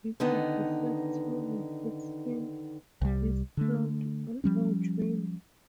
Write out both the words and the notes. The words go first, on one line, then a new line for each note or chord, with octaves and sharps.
This was the first time we had seen this plant on our journey.
D3 D#3 B3 D#4
C2 G3
D3 A3
F3 G3 C#4